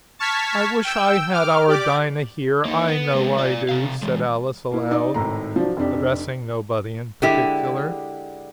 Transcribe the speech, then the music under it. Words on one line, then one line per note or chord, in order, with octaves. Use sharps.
'I wish I had our Dinah here, I know I do!' said Alice aloud, addressing nobody in particular.
A5 C#6 F6 G#6 B6
G5 E6
D6 F6
G4 D5 D6
A#3 D#4
B3
G#3 B3
F4 D5
C3 F5
E3 G#3
A#3 E4
D#4 D5
G#1 A2 A3 A#5
F3 F#3 D4
F1 F2 D4 G4
D3 G#3 E4 G4